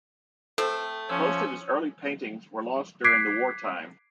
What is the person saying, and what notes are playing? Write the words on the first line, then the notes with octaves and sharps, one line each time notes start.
Most of his early paintings were lost during the war time.
A3 C4 A4
F3 C#4 C#5 E6
D6 F#6 G#6 B6 C7 D7